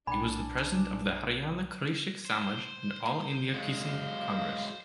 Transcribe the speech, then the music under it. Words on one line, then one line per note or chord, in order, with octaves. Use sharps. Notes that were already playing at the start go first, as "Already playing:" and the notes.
He was the president of the Haryana Krishak Samaj and All India Kisan Congress.
B1 D4 G5 G#5 B5
C5
F#3 G#3 F5